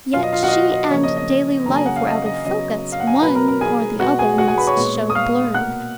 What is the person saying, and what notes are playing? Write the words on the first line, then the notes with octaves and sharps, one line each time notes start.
Yet she and daily life were out of focus: one or the other must show blurred.
B2 F#3 B3 F4 F5
D#5
F4 F5
F#4 F#5
D#5
F4 F5
D#5
C#3 F3 A#3 C#5
D#5
D#5
C#3 F#3 A#3 A#5
G#5
F#5
F5
D#5
D#5
C#3 F#3 B3 D#5
F5
F#5
G#5
A#5
B2 F#3 A#3 B4 B5
A#4 A#5
A#4 A#5
G#4 G#5
B2 G#3 B3 F#4 F#5
G#4 G#5
F#4 F#5
G#4 G#5
B4 B5
C#5 C#6
A#2 G#3 B3
D#6
F5 F6
B2 A#3 F#5 F#6